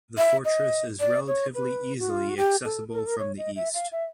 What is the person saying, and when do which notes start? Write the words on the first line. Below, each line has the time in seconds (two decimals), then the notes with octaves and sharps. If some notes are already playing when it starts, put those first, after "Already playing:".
The fortress is relatively easily accessible from the east.
0.18 E5
0.45 D#5
1.00 D5
1.28 C#5
1.55 B4
1.99 F#4
2.10 F4
2.29 F#4
2.37 G4
2.65 A4
2.92 A#4
2.99 A4
3.07 A#4
3.19 C#5
3.38 D#5
3.56 E5
3.74 F5
3.92 E5